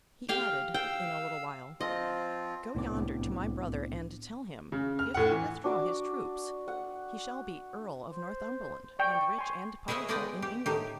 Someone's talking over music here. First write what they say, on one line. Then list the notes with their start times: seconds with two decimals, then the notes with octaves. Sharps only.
He added, in a little while, 'Go yonder to my brother, and tell him, if he withdraw his troops, he shall be Earl of Northumberland, and rich and powerful in England.'
0.29 G4 F5 G5
0.74 F5 G5 E6
1.81 F3 C4 F4 D#5
2.75 C2 A2 B3 C4 D4 D6
4.72 C#3
4.99 F6
5.14 A2 F#5
5.31 E3
5.64 D4 F#4 D6
6.68 F#5
8.09 C5
8.99 D5 G5 C#6
9.39 G#5 C6
9.88 E4 G#4 B4 C#5 D#5 G#5
10.09 G#3 B3 D5 D#5 F#5 G5
10.42 G4
10.66 A2 D#3 G4